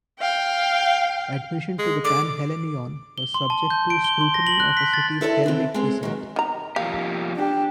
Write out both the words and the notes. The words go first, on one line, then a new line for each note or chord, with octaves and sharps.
Admission to the Panhellenion was subject to scrutiny of a city's Hellenic descent.
F5 G5
G#3
D3 D6
G7
C6
A5
G6
D7
G7
C6
A#6
F#7
F#6
B6
A6
E4 A4 B4 D5
D3 E3 C4
G#3 C4
D#3 F#3
D#3 A#5
F3 A#3 G4 F5
D4 G4